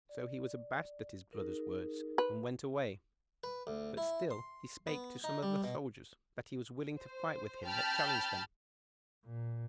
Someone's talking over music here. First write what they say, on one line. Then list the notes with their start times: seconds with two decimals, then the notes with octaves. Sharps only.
So he was abashed at his brother's words, and went away, but still he spake to some of the soldiers that he was willing to fight with him that challenged them.
0.09 D5
1.33 D#4 G#4 A#4
2.18 B4
3.44 B4
3.67 D2
3.97 E4
4.31 C6
4.87 B3
5.24 D#4
5.43 G3
5.64 B2
6.97 C5
7.65 G5 A5 B5 F6 G6 A6
9.26 A#2